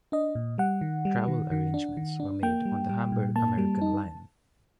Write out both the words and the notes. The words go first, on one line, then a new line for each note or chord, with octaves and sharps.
Travel arrangements were made on the Hamburg-American Line.
D4 D#5
A#2
G3 F#5
D#3
G3
D#3
D#3
D4
D#3
D4
A#3 G5
G3
G3
A#2
A#3 A5
G3
D#4